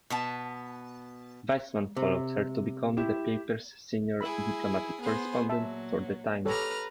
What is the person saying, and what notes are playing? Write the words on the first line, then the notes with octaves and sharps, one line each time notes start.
Weisman followed her to become the paper's senior diplomatic correspondent for the Times.
B2 B3 A5
C3
E4 G4 E7
E4 G#4 B5 E6
B3 G#4 C5
A#2 F#3 E5 A5
G4 A4 B4 C#5 A#5 F6